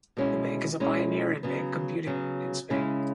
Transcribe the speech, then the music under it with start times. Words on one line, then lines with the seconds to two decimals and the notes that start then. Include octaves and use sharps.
The bank is a pioneer in bank computing in Spain.
0.17 B2 G#3 C#4 E4
0.80 B2 G#3 C#4 E4
1.43 C#3 F#3 B3
2.07 C#3 F#3 B3
2.70 C#3 G#3 C#4 E4